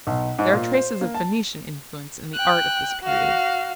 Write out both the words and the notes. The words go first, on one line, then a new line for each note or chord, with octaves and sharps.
There are traces of Phoenician influence in the art of this period.
B1
G#2
A#2
C5
A#3
A5
G5 F#6
F#4 F5